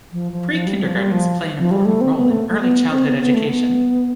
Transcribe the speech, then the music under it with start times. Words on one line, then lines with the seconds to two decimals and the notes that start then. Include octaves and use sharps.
Pre-kindergartens play an important role in early childhood education.
0.13 F3
0.32 F3
0.52 F3
0.67 G3
0.82 F3
0.97 G3
1.12 F3
1.59 F3
1.71 G3
1.85 A3
2.01 C4
2.16 B3
2.31 A3
2.48 A3
2.60 B3
2.89 C4
3.05 B3
3.19 B3
3.34 A3
3.49 B3